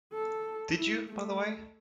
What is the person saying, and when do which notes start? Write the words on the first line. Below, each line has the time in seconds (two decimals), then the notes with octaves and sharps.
Did you, by the way?
0.13 A4
0.76 E4
1.09 A3